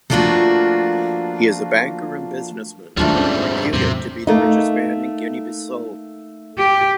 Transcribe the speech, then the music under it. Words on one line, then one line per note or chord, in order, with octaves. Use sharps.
He is a banker and businessman, reputed to be the richest man in Guinea-Bissau.
F3 A3 A#3 D4 F4 F#4
D#2 G#2 F#3 G3 A3 D4 F4
C4 C#4
E2 A2 C3 F#3
A3 A#3 D#4
G4